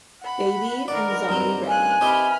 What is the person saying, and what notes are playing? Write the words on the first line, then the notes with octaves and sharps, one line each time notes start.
Baby" and "Zombie Reddy.
F#5 B5
D#3 D4 A#4 B4 D5 F#5
G2 C4 A#5
F5 G#5 F#6
C4 E4 G4 B4 D#5 B5 F6